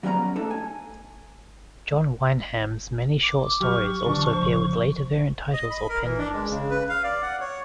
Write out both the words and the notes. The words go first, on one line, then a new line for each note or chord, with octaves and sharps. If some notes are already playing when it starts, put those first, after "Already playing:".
John Wyndham's many short stories also appear with later variant titles or pen names.
F#3 G3 B3 C#4 E5 A#5
A3 D4 D#4 A4
G#5
D6
F#3 G4 C#6 F6
D3 E3 F#3 D4 A5
G1 C#3 F3 C5
D#5
B5
A#4
E3
D4
G#3
C#3
B4
F5
D5
F#5
C#5